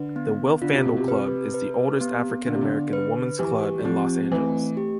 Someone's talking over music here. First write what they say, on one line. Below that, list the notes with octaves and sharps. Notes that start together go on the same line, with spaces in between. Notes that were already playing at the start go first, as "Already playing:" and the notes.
The Wilfandel Club is the oldest African-American women's club in Los Angeles.
Already playing: D3 B4
B3
D3 F4
C3
B2
C3
B4
B4
B3
D3 B3
C3
D3
B4
E3 G4
G3
F3 C4
E3 A3
G4